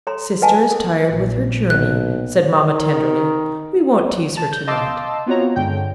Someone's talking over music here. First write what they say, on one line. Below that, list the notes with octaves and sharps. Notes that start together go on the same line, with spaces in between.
"Sister is tired with her journey," said mamma tenderly; "we won't tease her to-night."
A4 C#5 A#5 C6
A4 B4 D#5 F#5 G#5 A5
A4 A#4
A#1
B1 F#6
D#3
A5
G6
D#5 F5 A5 C6 D6 E6
B3 C4 F4 F#4 C#5 A#5
G2 D3 G#3 G5 G6